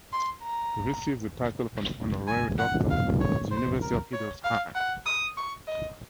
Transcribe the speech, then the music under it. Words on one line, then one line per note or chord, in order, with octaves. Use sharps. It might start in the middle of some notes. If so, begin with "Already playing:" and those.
He received the title of an honorary doctor of the University of Hildesheim.
C6
A#5
G#5
F#5
F5
C#5
C5
A#4
C#5
F5
F#5
D#6
C#6
D#5